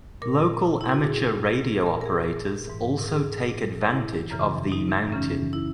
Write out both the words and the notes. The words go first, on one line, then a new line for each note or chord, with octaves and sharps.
Local amateur radio operators also take advantage of the mountain.
A#2 A#4
E4
F#4
A#2 G#4
A#2 A#4
A#4
G#4
G#2 E3
G#4
A#2
E4
F#2 C#3 E3
D#4
F#2 C#3 E3 C#4
E4